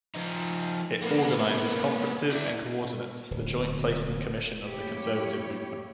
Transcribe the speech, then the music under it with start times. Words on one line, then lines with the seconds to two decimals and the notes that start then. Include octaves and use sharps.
It organizes conferences and coordinates the Joint Placement Commission of the Conservative movement.
0.15 F3 D#4
1.02 A#3 B3
2.31 E4 D5
3.31 D1
4.62 F#2 A2 A#3 E4 G4 C#5